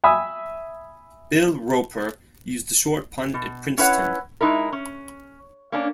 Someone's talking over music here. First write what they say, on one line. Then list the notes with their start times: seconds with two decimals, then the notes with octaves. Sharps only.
Bill Roper used the short punt at Princeton.
0.04 E5 G#5 B5 D#6 E6
3.34 B2
3.78 C#4 E4 B4 C#5 F#5
4.41 G#3 D#4 E4 A#4
4.73 C#4
5.72 A#3 C#4 D4